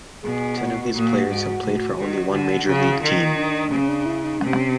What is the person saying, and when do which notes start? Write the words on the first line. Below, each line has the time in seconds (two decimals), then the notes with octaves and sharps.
Ten of these players have played for only one major league team.
0.23 B2 G#4
0.58 F#4
0.93 A#2 F#4
1.27 G#2
1.62 A2
1.98 D#3
2.32 D3
2.67 C#3
2.97 E4
3.01 D#3 F4
3.36 D4
3.71 C#3 C#4
3.88 D4
4.06 E4
4.24 D#4
4.40 C3 C#4